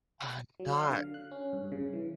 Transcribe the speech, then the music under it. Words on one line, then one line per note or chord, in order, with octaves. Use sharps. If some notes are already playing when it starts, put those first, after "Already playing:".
Uh, not,
F#3
F5
D3
F#6
C#4
G2
C#3
E3